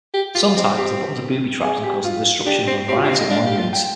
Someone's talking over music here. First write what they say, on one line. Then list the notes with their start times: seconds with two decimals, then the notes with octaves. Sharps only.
Sometimes the buttons are booby-trapped and cause the destruction of a variety of monuments.
0.14 G4
0.35 F4 G4
0.56 C4
0.77 G4
1.62 G#4
1.83 G4
2.04 F4
2.46 D4 G4
2.67 C4
2.88 C4 G4
2.96 F4
3.02 D4 G4
3.09 C4
3.19 D#5
3.30 D4 F5
3.46 G4
3.58 F4
3.73 G5